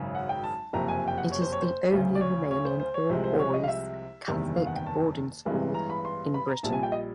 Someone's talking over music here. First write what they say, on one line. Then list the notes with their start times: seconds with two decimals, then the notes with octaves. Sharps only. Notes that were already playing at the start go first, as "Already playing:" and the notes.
It is the only remaining all-boys Catholic boarding school in Britain.
Already playing: G#1 F#2 C#3
0.15 F#5
0.29 G5
0.44 A5
0.73 F#1 F2 C3 A#5
0.88 G#5
1.08 G5
1.18 F#5
1.32 C#5
1.42 C5
1.53 C#5
1.62 C5
1.91 D2 C#3 F#3
2.15 D5
2.21 C#5
2.51 C#5
2.65 C5
2.80 C5
2.94 C#5
3.09 C2 C3 F3 G#3 C5
3.24 C5
3.39 C#5
3.54 D#5
3.64 F5
3.68 E5
4.28 F#1 E2 C3 D#3 G3
4.56 F5
4.67 F#5
4.76 G5
4.86 A5
5.45 A1 G2 E3 G#3 B3
5.74 A#5
5.90 B5
6.05 C6
6.34 B5
6.49 A#5
6.63 A#1 A#2 G3 A5
6.72 G#5
6.83 G5
6.92 D#5